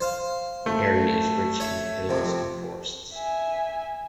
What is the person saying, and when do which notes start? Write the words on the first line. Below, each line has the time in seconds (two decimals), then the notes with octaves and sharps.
The area is rich in hills and forests.
0.01 C5 F5
0.66 A3
1.60 C#5 E5
2.09 F2 C3
3.13 E5 G#5